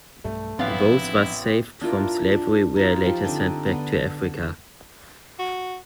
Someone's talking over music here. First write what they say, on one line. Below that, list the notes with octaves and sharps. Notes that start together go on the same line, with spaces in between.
Those thus saved from slavery were later sent back to Africa.
B1 G2 A3
A1 F3 B3 C4 D4 E4 F5
D4 E4 F4 A#4
D4
D#4 F4
F3 G4 F5 A5
D3 C4 D4 D#4
D3 B3
F#4